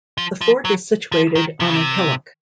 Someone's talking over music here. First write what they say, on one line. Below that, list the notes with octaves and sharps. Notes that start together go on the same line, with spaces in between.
The fort is situated on a hillock.
F3
F3
F#3
F3
D#3
C3
C#3
C3